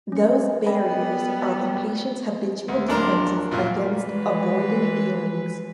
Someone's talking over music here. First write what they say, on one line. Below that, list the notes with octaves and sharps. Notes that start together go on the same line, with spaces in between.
Those barriers are the patient's habitual defences against avoided feelings.
C#4 C#7
G3 B3 D#5 G#5 B5
D2
D1 D4 A#4 C6
F#2 A#2 A#3
E3 G#3 B4